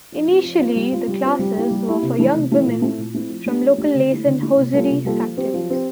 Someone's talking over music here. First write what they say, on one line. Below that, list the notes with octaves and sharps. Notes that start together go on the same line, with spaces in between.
Initially, the classes were for young women from local lace and hosiery factories.
F3
C4 F4
F3
C4 F4
G3
C4 F4
G3
C4 F4
G3
A#3 E4 G4
G3
A#3 E4 G4
C3
E3 A3 E4
C3
E3 A3 E4
A#2
A3 C4 E4
A#2
A3 C4 E4
F3
A3 D4 G4
F3
A3 D4 G4
D3
A3 E4
D3
A3 E4
C3
G3 A#3 F4 A4
C3
G3 A#3 F4 A4
F3
C4 G4
F3
C4 G4